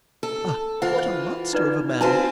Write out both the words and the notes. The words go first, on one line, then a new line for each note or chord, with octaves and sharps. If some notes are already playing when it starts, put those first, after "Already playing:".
Ah! what a monster of a man!
A4
E3 F4 C5 F#5
D#4 B4 D5
C4 F4 F#4 G#4 B4 A5